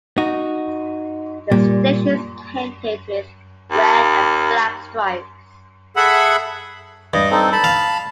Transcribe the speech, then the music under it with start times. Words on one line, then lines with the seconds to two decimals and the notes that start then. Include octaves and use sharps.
The station is painted with red and black stripes.
0.18 D#4 F#4
1.52 A#2 G3
3.71 D#2
5.96 G#4 A4 E5 F#5 B5
7.14 G2 D#5
7.31 C4 D#4 A4
7.52 A5 B5
7.64 F5